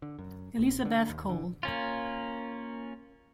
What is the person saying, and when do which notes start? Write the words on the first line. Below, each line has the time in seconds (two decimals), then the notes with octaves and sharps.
Elizabeth Cole.
0.02 D3
0.19 F#2
0.58 A#1
0.85 D3
1.09 D#2
1.29 D3
1.63 A#3 C#4 F4